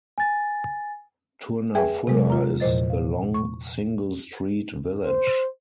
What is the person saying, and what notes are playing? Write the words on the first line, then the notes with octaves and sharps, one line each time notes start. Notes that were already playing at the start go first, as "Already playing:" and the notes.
Tournafulla is a long single-street village.
G#5 A6
G#4 B4 E5 G5 G#5
C3 F#3 G#3 A4 A#4
F4 A#5
E2 A#2 F3 C5 D#5 A6
F5
C#6
C5